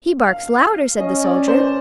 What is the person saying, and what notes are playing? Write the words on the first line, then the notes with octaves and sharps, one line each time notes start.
"He barks louder," said the soldier.
F5
C#4 D#5
D5
C5